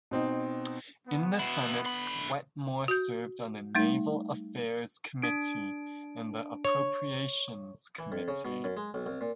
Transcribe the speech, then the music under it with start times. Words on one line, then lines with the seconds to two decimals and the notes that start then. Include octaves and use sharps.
In the Senate, Wetmore served on the Naval Affairs Committee and the Appropriations Committee.
0.11 B2 C4 D#4
1.06 B3
1.39 B2 E4
1.85 D3 B5
2.88 F#4 G6
3.75 G3 A3 D#4
5.22 D4 D7
6.65 C#5
7.99 E3
8.12 F2
8.28 C#3
8.45 B2
8.64 F#2
8.77 G#3
8.94 B1
9.06 C2
9.21 A#2